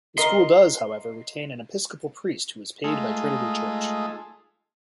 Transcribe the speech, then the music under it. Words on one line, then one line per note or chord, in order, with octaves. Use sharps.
The school does, however, retain an Episcopal priest who is paid by Trinity Church.
A#4 D#5 C6
G#3 A3 D#4 F4 G#4 A4